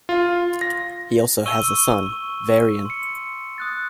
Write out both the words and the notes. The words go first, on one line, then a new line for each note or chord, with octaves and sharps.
He also has a son, Varian.
F4
A#6
C#6 E6 D#7 G7
C#6
C6 C#7
D#6 F#6 A6